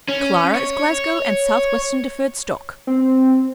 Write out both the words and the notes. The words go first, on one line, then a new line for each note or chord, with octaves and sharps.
Clara is Glasgow and South-Western Deferred Stock.
C#4
C#5
C4